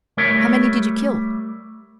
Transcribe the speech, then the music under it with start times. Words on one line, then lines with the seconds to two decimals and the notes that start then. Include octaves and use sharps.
How many did you kill?'
0.17 G3 A3 A#4 C#5